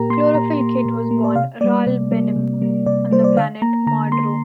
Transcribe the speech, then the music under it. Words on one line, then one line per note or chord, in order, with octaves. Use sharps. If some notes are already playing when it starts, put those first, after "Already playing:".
Chlorophyll Kid was born Ral Benem on the planet Mardru.
Already playing: A#2 A#3 G4 A#4 A#5
A#3 C6
A#2 A#5
A#3
A#2
A#3
D5
C3 F5
G3 A#3 D5
C3
G3 A#3
C3
G3 A#3
C3 D5
G3 A#3 C5
D5
D3 F5
A#3 A#5
D3 A#5
A#3 C6